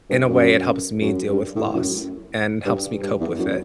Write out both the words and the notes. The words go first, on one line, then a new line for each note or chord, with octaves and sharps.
in a way it helps me deal with loss, and helps me cope with it.
G2
F#2
F#2
G2
A2
F#2
G2
G2
E2
F#2